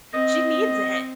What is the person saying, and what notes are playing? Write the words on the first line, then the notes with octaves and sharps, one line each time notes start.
she needs it."
C4 D#5